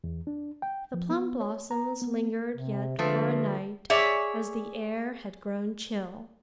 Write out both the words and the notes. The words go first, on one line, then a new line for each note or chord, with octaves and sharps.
The plum-blossoms lingered yet for a night as the air had grown chill.
E2
D4
G5
F3
B3
C#5
A#5
B3
C3
D3 F3 G#3 A3 C4 B4
G#4 C#5 D5 E5